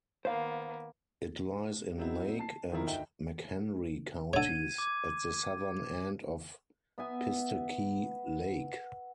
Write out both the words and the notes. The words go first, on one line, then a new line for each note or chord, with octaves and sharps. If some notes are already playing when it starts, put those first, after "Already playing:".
It lies in Lake and McHenry counties at the southern end of Pistakee Lake.
D#3 A#3 B3 C5 F5
F#3 B3 C4 D#4 E4
A5 C7
D#3 F3 E4 A#4
D2 D#4 E5 G5
D3 C#5 G#6 D#7
D6 G#6
B3 E5 G#5